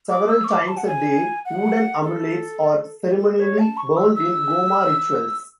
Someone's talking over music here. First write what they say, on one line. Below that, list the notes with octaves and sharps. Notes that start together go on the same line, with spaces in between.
Several times a day, wooden amulets are ceremonially burned in Goma rituals.
D6
E6
C#6
D6
A5
F#5
G#5
F#5
A4
A4
C#5
A5
C#6
E6
E6